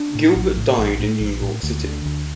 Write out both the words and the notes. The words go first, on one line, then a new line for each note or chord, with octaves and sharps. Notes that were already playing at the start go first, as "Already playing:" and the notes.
Gilbert died in New York City.
Already playing: D4
A2
A#1
A2
A#1
A2
A#1
A2
D2
D3
D2